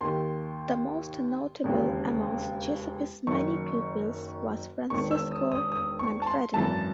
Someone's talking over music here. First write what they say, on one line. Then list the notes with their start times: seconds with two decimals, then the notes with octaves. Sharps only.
The most notable amongst Giuseppe's many pupils was Francesco Manfredini.
0.01 D#2 D#3 C6
1.64 E1 D#2 C#3 E3
3.27 F#1 F#2 D#3 C#6
4.90 E1 E2 D#3 C#6
5.11 E6
5.31 D#6
5.52 D#6
5.72 D#6
5.99 C#6
6.22 A5
6.26 C6
6.53 G#1 F#2 E3 A5